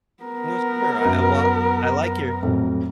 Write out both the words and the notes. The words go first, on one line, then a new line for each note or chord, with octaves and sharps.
No, sure. I I well, I like your
B3 A#4
F#2 D7
F2 A2 F#3